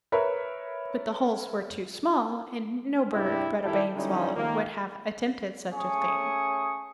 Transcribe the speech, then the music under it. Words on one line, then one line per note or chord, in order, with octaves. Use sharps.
But the holes were too small, and no bird but a bank-swallow would have attempted such a thing.
A#4 B4 C#5 E5 B5
G2 C3 D4 E4 G4
F#2 D#3 G3 E4 G4 A4
D3 F#3 G3 C#4 D#4 E4
D#3 A#3 F4
A3 C#4 G#4 C#5 C#6 D#6